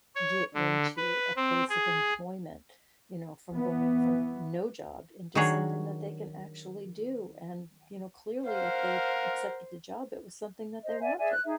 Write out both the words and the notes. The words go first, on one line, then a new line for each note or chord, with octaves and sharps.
get into a place of employment, you know, from going from no job into something that they can actually do, and, you know, clearly if they accepted the job, it was something that they wanted.
C#5
D3
B4
C4
G#4
E3 B3
D#3 F#3 D4 F#4 G#4 C#5
A#4 C5 F5 F#5
C5 D#5
D5 E5 G#5
G#4 D5 E5 G#5
F#6
D#4 G#4 E5